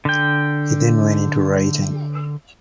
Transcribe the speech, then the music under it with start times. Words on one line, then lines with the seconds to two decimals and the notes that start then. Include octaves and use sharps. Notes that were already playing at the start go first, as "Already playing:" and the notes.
He then went into writing.
0.05 D3 G5